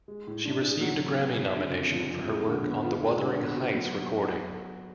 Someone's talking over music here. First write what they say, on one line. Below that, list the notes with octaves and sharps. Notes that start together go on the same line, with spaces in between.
She received a Grammy nomination for her work on the "Wuthering Heights" recording.
G#3
A2
D4
G#4
F#3
C#3
B3
C#3
D3
F2
F3
F2
G#3
D3
B3
F4
G#3
D3
B3
F#4
F#3